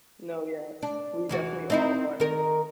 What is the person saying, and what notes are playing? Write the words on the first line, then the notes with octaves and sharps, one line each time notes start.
No, yes. We definitely all are.
D4
E2 E3 F#4
C4 D#4 E4
D#3 A#4